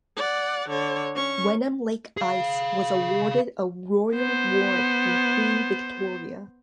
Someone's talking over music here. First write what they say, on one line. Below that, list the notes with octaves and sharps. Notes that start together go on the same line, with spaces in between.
Wenham-lake ice was awarded a royal warrant from Queen Victoria.
D5 F#5
D3 C#5
C#4 C#6
G#4 F5
B3 C5